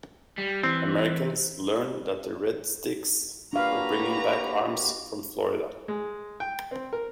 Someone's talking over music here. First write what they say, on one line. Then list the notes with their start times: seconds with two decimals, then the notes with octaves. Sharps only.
Americans learned that the Red Sticks were bringing back arms from Florida.
0.38 G3
0.64 E3 C4
3.53 A#3 D4 F#4 G4 B4 F5 A#5
5.88 G#3
6.40 G5
6.71 C4
6.93 A#4